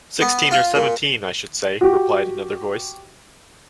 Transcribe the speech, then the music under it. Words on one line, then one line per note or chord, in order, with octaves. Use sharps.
"Sixteen or seventeen, I should say," replied another voice.
B3
F4
A#2
F#4 G4